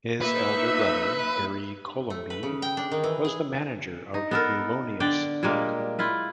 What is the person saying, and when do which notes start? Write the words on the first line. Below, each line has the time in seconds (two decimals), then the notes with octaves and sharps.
His elder brother, Harry Colomby was the manager of Thelonious Monk.
0.21 A#3 D#4 B4 E5
2.10 A3
2.30 B4
2.43 C#3
2.62 G5
2.77 D4
2.92 D#3
3.04 E3
3.25 G#4
4.14 D#4
4.31 B3 A4 A#4
5.00 D3 D5 G5
5.43 A#2 G3 G#3 A#3
5.99 E4 F4 B4